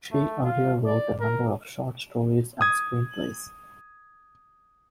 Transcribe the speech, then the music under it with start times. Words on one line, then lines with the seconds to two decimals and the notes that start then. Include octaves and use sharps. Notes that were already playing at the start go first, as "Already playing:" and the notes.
She earlier wrote a number of short stories and screenplays.
0.12 A3
0.44 F4
0.86 D5
1.20 A#4
2.61 D#6 G#6